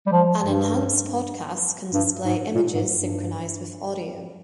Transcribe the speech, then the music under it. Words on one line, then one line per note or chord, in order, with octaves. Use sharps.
An enhanced podcast can display images synchronized with audio.
G3
F3
G2
G2
G#2
A#2
G#2
G2